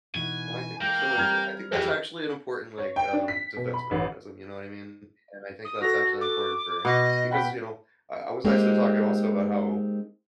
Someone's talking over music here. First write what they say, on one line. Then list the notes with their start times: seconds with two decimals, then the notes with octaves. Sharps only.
And I think that's really I think that's actually an important, like, um, defense mechanism, you know what I mean? And I think that's actually important for because, you know I I was actually talking, also, about how,
0.15 B2 E3 D#4 G#5
0.81 G#3 A#3 G5
1.18 G3 C4 A#5 F6 G#6
1.72 F2 E3 G4 G#4
2.78 C#5
2.96 G5
3.13 D4
3.28 B6
3.57 B2
3.74 B5
3.91 A1
5.64 D#6
5.82 F#4 A4 A#6
6.21 D6
6.85 B2 D#5 F#5
7.31 F#5 G5 B5 B6
8.45 G#3 A#3 C4 D#4 G4